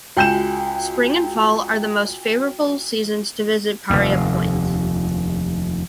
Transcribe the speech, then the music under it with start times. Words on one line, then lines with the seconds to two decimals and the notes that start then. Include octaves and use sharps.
Spring and fall are the most favorable seasons to visit Paria Point.
0.17 C#2 F#4 G5 G#5 G6 E7
3.90 F1 D#2